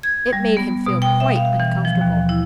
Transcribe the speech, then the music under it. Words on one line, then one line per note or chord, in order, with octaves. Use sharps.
It made him feel quite uncomfortable.
G#6
G3
B3
B2
G5
E5
F5
E3
F3
D#2
E4